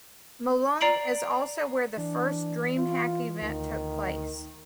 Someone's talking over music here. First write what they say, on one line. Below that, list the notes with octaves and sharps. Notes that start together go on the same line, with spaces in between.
Malung is also where the first DreamHack event took place.
D5 A#5 C7 D7 F#7
E3 D4
F4
D2 D#3